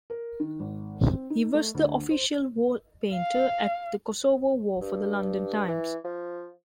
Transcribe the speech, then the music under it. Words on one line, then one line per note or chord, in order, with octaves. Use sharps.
He was the official war painter at the Kosovo War for the "London Times".
A#4
D#3
G#1
C4
D#4
A3
D2
C5
F5
G2
E3
F3